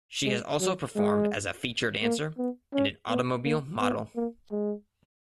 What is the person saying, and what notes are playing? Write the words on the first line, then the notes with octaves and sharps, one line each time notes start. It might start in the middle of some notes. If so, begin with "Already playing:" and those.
She has also performed as a feature dancer and an automobile model.
G#3
F#3
G#3
A#3
B3
C#4
B3
A#3
B3
A#3
G#3